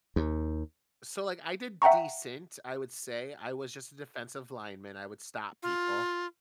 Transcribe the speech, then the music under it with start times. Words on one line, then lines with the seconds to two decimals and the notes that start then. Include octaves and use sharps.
So, like, I did decent, I would say, I was just a defensive lineman, I would stop people.
0.16 D#2
1.82 E5 F#5 G5 A#5 C#6
5.63 F4